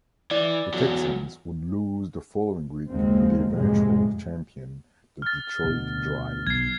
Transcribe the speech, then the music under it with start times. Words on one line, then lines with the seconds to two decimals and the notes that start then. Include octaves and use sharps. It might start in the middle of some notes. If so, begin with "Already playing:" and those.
The Texans would lose the following week to the eventual champion, the Detroit Drive.
0.31 E3 D5
0.74 E2 F#3
2.89 F#1 D#2 G#3 A#3 C4
3.50 F#1 F2 A2 C3 G#3
5.22 F6 A6
5.64 D2 B2
6.47 B1 G#6 C7